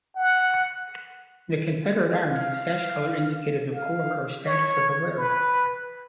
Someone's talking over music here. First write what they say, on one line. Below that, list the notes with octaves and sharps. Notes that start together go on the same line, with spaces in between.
In the Confederate Army, sash colour indicated the corps or status of the wearer.
F#5
F5
F5
C#5
B4